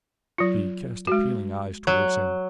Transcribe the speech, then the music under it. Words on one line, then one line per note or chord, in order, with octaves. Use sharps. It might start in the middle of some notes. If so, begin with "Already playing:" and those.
She cast appealing eyes toward him.
F#3 F4
G#3 F#4
F#3